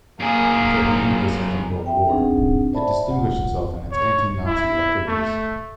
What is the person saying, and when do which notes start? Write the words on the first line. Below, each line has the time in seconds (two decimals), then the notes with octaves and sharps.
Until the end of the Second World War, it distinguished itself in its anti-Nazi activities.
0.19 F#2 A#3 G#4
1.86 E5 G5
2.08 C4 D4 D#4 G#4 F#5
2.73 C5 D5 E5 A5 B5
3.07 F4 F#5
3.92 C#5
4.46 E4
5.08 A3